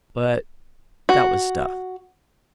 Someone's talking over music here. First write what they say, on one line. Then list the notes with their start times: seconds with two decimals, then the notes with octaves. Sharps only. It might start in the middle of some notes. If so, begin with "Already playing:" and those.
But that was stuff.
1.09 F#4